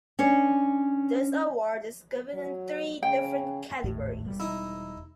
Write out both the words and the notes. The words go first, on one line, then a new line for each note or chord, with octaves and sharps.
This award is given in three different categories.
C#4 D4 C#5
F#3
C#3 G5
G#1 D#2 A2
E1 G3
D#4 E4